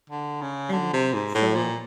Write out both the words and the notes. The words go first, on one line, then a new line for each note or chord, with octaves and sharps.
And so,
D3
C#3
D3
C3
G#2
A2
A#2